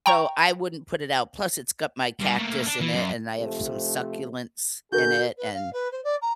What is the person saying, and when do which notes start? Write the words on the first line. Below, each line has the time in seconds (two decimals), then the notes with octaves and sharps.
so, I wouldn't put it out, plus it's got my cactus in it, and I have some succulents in it and
0.06 G5 A#5 C#6
2.20 G2
2.37 A3 A#3
2.66 D4
2.81 E3
2.94 F#2
3.37 C3 F3 A3
4.92 D3 F#4 G#4 A#4 G6
5.37 B4
5.54 F5
5.73 B4
5.92 C5
6.04 D5
6.21 A#5